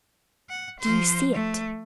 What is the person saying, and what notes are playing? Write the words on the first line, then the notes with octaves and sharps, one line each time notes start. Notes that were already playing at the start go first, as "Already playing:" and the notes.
"Do you see it?"
F#5
F3 C5
A3